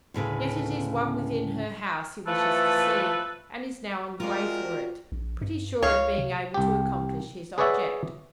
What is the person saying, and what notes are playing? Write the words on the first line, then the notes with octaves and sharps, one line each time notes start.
Yet it is one within her house he wishes to see, and is now on the way for it, pretty sure of being able to accomplish his object.
D2 A2 C#3 B4
E3 F3 A3 A4 B4
C3 G#3 F4 F#4 A#4 D5
A#1
G2
C#2 C#5 F5
C3
C2 G4
G#4 B4 C#5 D5 E5 F#5